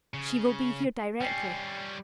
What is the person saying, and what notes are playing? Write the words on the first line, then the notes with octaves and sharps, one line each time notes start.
"She will be here directly."
C#3
G3 C#4 G5 G#5 C7